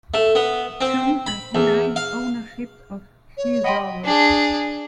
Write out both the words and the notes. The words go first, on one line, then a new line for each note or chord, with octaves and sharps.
Cheung has denied ownership of Thesaurus.
A3
B3
C4
B5
E2
F5
C#5
D#5 F#5 G5 B5 C6
D4 G#4